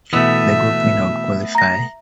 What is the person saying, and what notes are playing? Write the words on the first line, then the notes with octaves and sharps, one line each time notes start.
The group winner would qualify.
B2 E3 A3 B3 E5
A#5 A#6